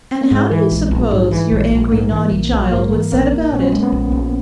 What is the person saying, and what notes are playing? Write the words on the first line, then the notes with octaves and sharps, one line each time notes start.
'And how do you suppose your angry naughty child would set about it?
A#3
G#2 G#3
E3
A#1
A#1
G#2
E3
A#1
A#1
G#2 A#3
E3
A#1
A#1
G#2 A#3
E3
A#1 A#3
A#1
A#2 C#4
B3
G#3 A#3
B3
A#1
A#1